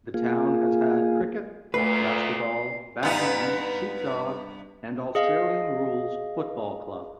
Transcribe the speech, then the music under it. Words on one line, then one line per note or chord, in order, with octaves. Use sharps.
The town has had cricket, basketball, badminton, sheep dog and Australian rules football clubs.
A#3 F4 G#4
D2 A#2 A3 B4 C7
G2 B3 D#4
G#4 D#5 F5